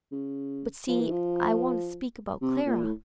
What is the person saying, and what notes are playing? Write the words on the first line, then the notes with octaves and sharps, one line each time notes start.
But see, I want to speak about Clara.
C#3
F3
E3
F3
C3
A#2
A2